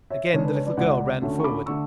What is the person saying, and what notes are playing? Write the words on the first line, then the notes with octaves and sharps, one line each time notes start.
Again the little girl ran forward.
C#5 E5
C#3 G#3 D4 C#5
B4
C#5
B4 D5
C#2 C#3 G#3 D5 F#5
D2 D3 A3 C#4
C#6
B5 D6
D3 A3 C#6 E6